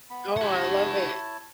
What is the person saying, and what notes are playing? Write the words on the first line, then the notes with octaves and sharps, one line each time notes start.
Oh, I love it.
B3 B5
E4 G4 C#5 F#5 A5